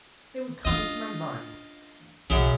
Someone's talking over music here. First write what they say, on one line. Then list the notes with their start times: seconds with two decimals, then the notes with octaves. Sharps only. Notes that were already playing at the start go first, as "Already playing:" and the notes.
They would come into my mind.
0.65 C#4 D4 F4 D#5
2.30 B1 F#2 C#3